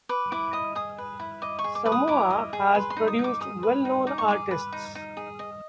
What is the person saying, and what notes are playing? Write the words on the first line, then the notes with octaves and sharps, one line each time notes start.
Samoa has produced well-known artists.
B4 D6
E4 D6
D#5 D#6
G#4 D#6
B4
E4
D#5 D6
C#6
G#4
D6
B4 D6
D#6
E4 D6
D#5
G#4
B4 C6
C6
D#4
D#6
D#4
D6
G#4 D#6
B4
D#4
D#4 D6
C#6
G#4 D6
B4
D#4
D#4
G#4
D#5